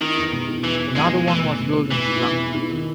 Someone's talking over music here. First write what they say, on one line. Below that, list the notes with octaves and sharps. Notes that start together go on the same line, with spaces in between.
Another one was built in Sri Lanka.
D#3 E4
E2
B2
E4
E2 E3
E2
G#3 E4
B2
E3 A3
B2
B2
B2
B2 E3
E4
E4
E2
E4
D#3